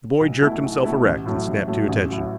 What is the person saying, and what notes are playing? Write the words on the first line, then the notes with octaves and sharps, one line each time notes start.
The boy jerked himself erect and snapped to attention.
B1
B2 A3 E4
B1
B2 A3 E4
A1
A2 F#3 A3
A1
A2 F#3 A3
A1
A2 F#3